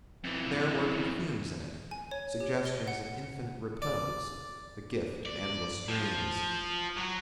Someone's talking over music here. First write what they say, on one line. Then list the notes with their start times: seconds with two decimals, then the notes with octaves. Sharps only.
There were perfumes in it, suggestions of infinite repose, the gift of endless dreams.
0.24 F2 E3
1.91 G#5
2.11 C#5
2.40 G4
2.65 G7
2.88 F#5
3.82 D5
5.25 D5
5.89 F3
6.97 F#3